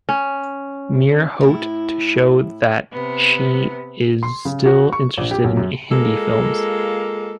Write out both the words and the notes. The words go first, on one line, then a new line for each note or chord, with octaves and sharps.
Mere Hote to show that she is still interested in Hindi films.
C#4
A2 E4
C3 B3
C6
C#3
F#4
C#6
A#1
G4
B1
F#2
G#3 A#3 F4 A4